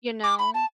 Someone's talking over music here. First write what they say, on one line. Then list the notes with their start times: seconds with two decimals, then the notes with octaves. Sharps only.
you know,
0.24 D6
0.39 B5
0.54 A5